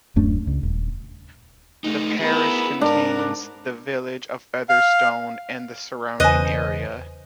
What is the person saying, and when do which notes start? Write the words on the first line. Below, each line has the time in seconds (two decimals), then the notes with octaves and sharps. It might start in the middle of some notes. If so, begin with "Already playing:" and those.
The parish contains the village of Featherstone and the surrounding area.
0.16 D1 F#2 A3 D4
0.47 C#2
0.63 D#1
1.84 A3 D#4
2.21 B3 E4 G#4 A#4
2.81 G#2 D4 A#4
4.69 F5
6.20 E1 E2 C#3 B4 C5 D#5 G#5